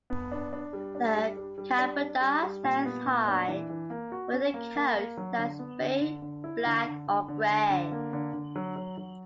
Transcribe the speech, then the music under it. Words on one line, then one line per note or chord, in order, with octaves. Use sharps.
The Kabarda stands high, with a coat that is bay, black, or gray.
B3
D4
D4
G3
D4
G3
G3
G3
D4
D4
G3
G3
A#2
B3
A#2
D4
E3
E3
A#3
F#4
C#4
A#3
A#3
A#3
F#3
D3
B3
D3
D3
D3
E4
D3
D3
D3
D3
D3
D3
A#3
D3
D3
F#3
F#3
F#3